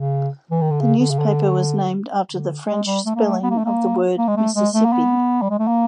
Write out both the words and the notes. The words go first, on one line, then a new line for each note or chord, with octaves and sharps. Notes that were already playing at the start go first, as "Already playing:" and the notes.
The newspaper was named after the French spelling of the word "Mississippi".
Already playing: C#3
E3
D#3
D3
C#3
D3
C#3
D3
D3
G#3
G3
A3
A#3
A3
B3
A#3
A3
A#3
A#3
G#3
A3
G#3
A3
A#3
B3
G3
G#3
A3
A#3